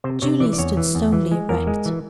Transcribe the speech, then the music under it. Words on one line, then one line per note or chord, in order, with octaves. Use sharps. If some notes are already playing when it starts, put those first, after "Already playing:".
Julie stood stonily erect.
C3 C5
C3 C#5
E3 D5
D5
E2 C#5
E3
E2
E3
G#3
E2 A#4
G#3
E3